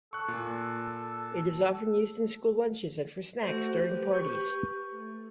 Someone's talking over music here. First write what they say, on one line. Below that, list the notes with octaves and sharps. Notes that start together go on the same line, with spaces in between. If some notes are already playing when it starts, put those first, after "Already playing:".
It is often used in school lunches and for snacks during parties.
A4 C#6 F#6
A#2
A3 F#4 C5
G4 B4
C#6 G6
A3